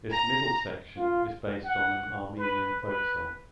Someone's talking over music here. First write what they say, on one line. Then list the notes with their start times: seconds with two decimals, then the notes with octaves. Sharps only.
Its middle section is based on an Armenian folk song.
0.11 A#5
0.97 F4
1.64 F#5
2.38 B4
2.83 B4